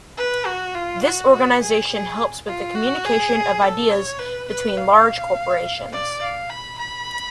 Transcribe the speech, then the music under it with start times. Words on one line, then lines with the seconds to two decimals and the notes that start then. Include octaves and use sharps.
This organization helps with the communication of ideas between large corporations.
0.18 B4
0.46 F#4
0.75 F4
1.03 F#4
1.32 F#4
1.61 G#4
1.90 G#4
2.47 F4
2.75 F#4
3.05 G#4
3.62 A4
3.91 C#5
4.19 B4
4.48 B4
4.77 F5
5.93 D5
6.21 F5
6.50 B5
6.79 B5